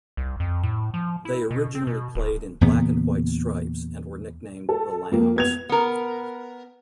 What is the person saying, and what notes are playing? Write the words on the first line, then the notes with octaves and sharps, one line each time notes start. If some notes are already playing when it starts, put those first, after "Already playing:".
They originally played in black-and-white stripes and were nicknamed "the Lambs".
C2
F2
A2
F3
E4
B2
C4
B2
D1
E2 A#2 C#3 B3
A4
F2 A#3
B3 G#6 F7
B3 A#4